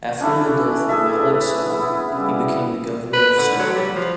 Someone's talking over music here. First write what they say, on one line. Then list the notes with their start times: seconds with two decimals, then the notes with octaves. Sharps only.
After the death of Malik Sultan, he became the governor of Sirhind.
0.20 C#4 D4 E4 A4
0.89 G#4 A4 E5
1.14 B4
1.67 B3 E4
2.12 C#3 G3
3.14 B4
3.38 D3
3.59 F#3
3.76 G3
3.95 F3